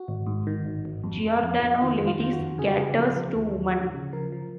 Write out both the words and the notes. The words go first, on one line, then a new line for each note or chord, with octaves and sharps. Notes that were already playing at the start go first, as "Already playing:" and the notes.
Giordano Ladies caters to women.
Already playing: F#4
G#1
G#2
D#3
G#1
G#1
F2
F2
F2
F2
D#3 F4
F2
F4
D#3
F#4
F2
C#3 G#4
F#4
C#3 G#4
F3
F3
D#2
D#2
F3
C#3
F3 A#4
F3